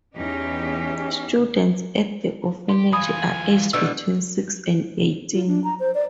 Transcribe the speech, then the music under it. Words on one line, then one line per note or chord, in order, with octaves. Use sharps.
Students at the orphanage are aged between six and eighteen.
E2 C#4 D#4 G4
G4 C6
E3 F4 G#5 B5 D#6
B2 D3 G3 A3 E6
F4
D4
A#5
C5
D5